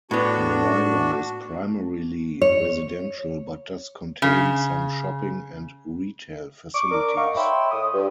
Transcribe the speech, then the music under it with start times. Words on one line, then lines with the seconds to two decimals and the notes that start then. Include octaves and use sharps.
Merriwa is primarily residential, but does contain some shopping and retail facilities.
0.11 A2 B3 D4 F#4
2.42 C#5
4.22 C#3
6.74 C#6 D6
6.91 D4 A#4 D6
7.17 D#4 F5 F#5 C#6
7.37 C#5 E5 G5 B5 C6
7.71 A2 D#6
7.94 G2